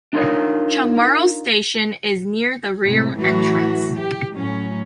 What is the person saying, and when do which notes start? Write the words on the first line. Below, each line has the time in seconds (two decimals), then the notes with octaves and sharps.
Chungmuro Station is near the rear entrance.
0.13 D4 D#4 F4 A#4 C#5 D#5
2.85 A2 C3 G#3
3.17 A2 E3 F#3 A3 F#4
3.96 G4
4.34 A2 F#3 C#4